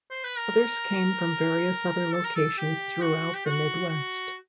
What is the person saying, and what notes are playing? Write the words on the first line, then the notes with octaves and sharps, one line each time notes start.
Others came from various other locations throughout the Midwest.
C5
B4
A#4
A4
A#4
A4
G4
F#4
G4
F#4
F#4